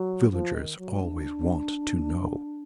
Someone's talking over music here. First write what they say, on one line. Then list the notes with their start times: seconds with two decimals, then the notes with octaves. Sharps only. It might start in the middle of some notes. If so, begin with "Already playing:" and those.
Villagers always want to know.
Already playing: F#3
0.32 F3
0.54 D#3
0.78 F#3
1.01 D4